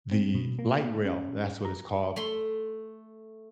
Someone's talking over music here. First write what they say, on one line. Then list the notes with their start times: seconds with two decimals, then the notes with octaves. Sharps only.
the Light Rail that's what it's called,
0.11 C4
0.35 B2
0.59 A#3
1.05 C#4
1.65 A#5
2.16 A3 C6